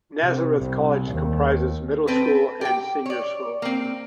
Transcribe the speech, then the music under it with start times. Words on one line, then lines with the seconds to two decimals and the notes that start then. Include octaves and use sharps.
Nazareth College comprises a Middle School and Senior School.
0.20 C3
0.58 C2
1.11 D#2
2.07 C4 A4 B4
2.61 G4 G5
3.06 C#5 D5
3.62 A#3 C4